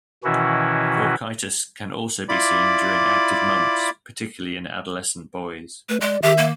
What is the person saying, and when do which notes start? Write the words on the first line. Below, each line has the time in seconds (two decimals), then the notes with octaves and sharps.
Orchitis can also be seen during active mumps, particularly in adolescent boys.
0.24 B2 D#3 E3 C#4 E4 F#4
2.29 E4 F4 D5 B5 D6
5.89 A3 B4
6.01 G#3 D5
6.23 D#3 G4 E5
6.38 A#3